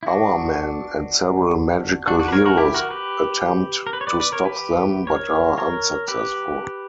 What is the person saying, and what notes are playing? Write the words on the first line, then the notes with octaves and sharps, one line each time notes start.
Hourman and several magical heroes attempt to stop them, but are unsuccessful.
E4
D4 F#4
D4 F#4
D4 F#4
B4
A#4 C#5
F#4 A#4
E4 G4
F#4 A#4
G4 B4
A#4
B4
C#5
B4 D5
B4 D5
A#4 C#5
G4 B4
A#4 C#5
A#4 C#5
G4 B4